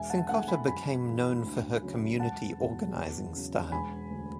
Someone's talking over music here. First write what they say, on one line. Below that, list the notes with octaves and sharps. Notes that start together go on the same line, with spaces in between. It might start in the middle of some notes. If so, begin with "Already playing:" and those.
Cincotta became known for her community organizing style.
Already playing: E1 E5 G#5
F#5 A5
E2 D3 A3 F#5 A5
G#5 B5
F#2 G#5 B5
E3 G#3
D2
C#3 F#3
E1 F#5 A5
E2 B2 G#3
E2
C#3 F#3
E1 G#5 B5
D2 D3